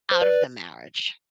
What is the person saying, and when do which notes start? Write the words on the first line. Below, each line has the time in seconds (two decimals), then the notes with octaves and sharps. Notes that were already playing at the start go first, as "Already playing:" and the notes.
out of the marriage?
0.11 C5
0.22 B4 D5